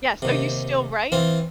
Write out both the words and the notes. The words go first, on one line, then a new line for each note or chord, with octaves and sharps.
Yes, so you still write?
D#2 C3
E3 C4 F4